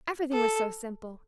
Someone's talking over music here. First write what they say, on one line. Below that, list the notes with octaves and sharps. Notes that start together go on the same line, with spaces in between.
Everything was so simple.
A4